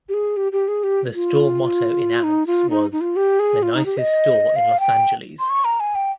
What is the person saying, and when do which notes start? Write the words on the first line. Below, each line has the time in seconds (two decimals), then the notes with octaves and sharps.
The store motto in ads was "the nicest store in Los Angeles".
0.09 G4
0.14 G#4
0.37 G4
0.52 G4
0.68 G#4
0.84 G4
1.15 F4
2.23 D#4
2.47 F4
2.70 D#4
2.92 D#4
3.01 F4
3.16 G4
3.39 G#4
3.63 F4
3.75 D#4
3.86 G4
3.98 D#5
4.56 F5
4.80 G5
5.39 C6
5.50 C#6
5.65 A#5
5.80 G#5
5.95 G5